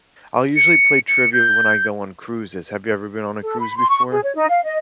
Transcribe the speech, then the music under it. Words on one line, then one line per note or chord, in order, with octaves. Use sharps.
I'll usually play trivia when I go on cruises, have you ever been on a cruise before?
C#7
C#7
G6
A4
B5
C6
C#6
G#4
C#5
D#4
F5
D#5